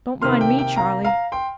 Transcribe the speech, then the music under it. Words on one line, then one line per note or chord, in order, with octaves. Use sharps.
Don't mind me, Charley!
C3 D#3 A#3 C6 F6
G5
G5
F5 A#5
F5 A#5
G5 C6